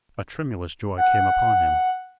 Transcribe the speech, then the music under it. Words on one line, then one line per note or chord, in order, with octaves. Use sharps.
A tremulous joy came upon him.
F#5